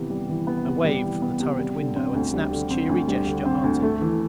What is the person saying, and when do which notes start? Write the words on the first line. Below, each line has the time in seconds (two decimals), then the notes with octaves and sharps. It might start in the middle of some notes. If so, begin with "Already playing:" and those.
I waved from the turret window, and Snap's cheery gesture answered me.
Already playing: C3 E3 B3
0.10 G3
0.29 E3
0.47 B3
0.66 C3
0.85 G3
1.04 E3
1.22 B3
1.40 C3
1.59 G3
1.78 D3
1.96 C4
2.15 D2
2.34 G3
2.52 D3
2.70 C4
2.89 D2
3.08 G3
3.27 D3
3.45 C4
3.64 D2
3.82 A3
4.01 E3